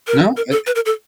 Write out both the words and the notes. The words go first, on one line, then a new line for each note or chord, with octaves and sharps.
No, uh
A#4
A#4
A4
B4
A#4
A4